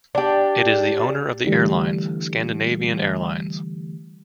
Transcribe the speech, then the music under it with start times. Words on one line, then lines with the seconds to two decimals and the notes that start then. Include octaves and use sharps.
It is the owner of the airlines Scandinavian Airlines.
0.15 D4 G4
1.46 D3 E3 G3 A3